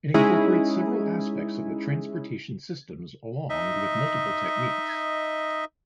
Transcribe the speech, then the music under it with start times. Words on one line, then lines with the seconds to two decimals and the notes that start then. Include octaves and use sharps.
It incorporates several aspects of the transportation systems along with multiple techniques.
0.14 G#3 C#4 D#4 E4 G#4
3.49 D#4 D#5 E5